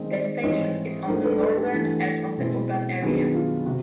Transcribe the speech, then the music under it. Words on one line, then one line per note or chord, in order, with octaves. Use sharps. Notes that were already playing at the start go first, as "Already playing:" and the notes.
The station is on the northern edge of the urban area.
Already playing: D#3 G#3 C4 D#4
C5 D5
G#2 E3 G3 C4 E4 C#5 D#5
G#2 F3 A3 D4 A#4 C5
A4 B4
A4 B4
G4 A4
G2 E3 A3
B2 G#3 C4 E4
F#2 D#3 G3 B3 D4 F#4 G#4
F4
C3 F#4